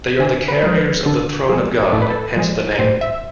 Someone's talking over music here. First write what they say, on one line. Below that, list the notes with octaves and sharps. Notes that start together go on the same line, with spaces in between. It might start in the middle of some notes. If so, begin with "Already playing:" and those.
They are the carriers of the Throne of God, hence the name.
D3 G#5
B4
F3 G#3
B4
D3 A4
F3 G#3 G#4
A2 A4
B4
A4
F3 G#3
A2 C5
E5